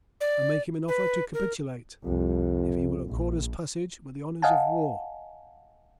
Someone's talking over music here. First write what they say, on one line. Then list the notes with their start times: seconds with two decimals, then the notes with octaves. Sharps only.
I make him offer to capitulate if he will accord us passage with the honours of war.
0.21 D5
0.88 B4
1.34 A#4
2.05 C2 F2
3.10 A#1
4.42 D#5 F5 F#5 G#5 A5